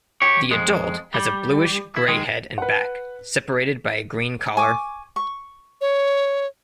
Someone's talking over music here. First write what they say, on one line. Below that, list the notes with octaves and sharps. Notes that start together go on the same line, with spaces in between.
The adult has a bluish-grey head and back, separated by a green collar.
G4 C#5
F2 G#3
G3
E4
D#3 G#3
B4 F#5
G#5 C#6 D6
C#6
C#5